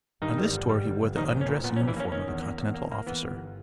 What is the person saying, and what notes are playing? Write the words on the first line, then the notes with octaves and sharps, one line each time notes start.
On this tour he wore the undress uniform of a continental officer.
G2 D#3 D#4
G3
G1
G3
G1
G1
A#1 D#3 D#4
A#1
C#4
A#2
A#2 B3
C#4
A#1
E3 E4
A#3 C#4
D#3 C#4
E2
A#3
E2
A#3
A#3
E3 B3
G1